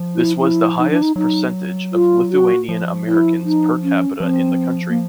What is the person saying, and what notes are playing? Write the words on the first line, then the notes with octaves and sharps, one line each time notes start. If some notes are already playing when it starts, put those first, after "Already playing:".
This was the highest percentage of Lithuanian Americans per capita in the country.
Already playing: F3
E4
E4
D#4
D4
D#4
F#3 D#4
F4
F#4
F3
E4
D#4
C#4
F3 C4
A#3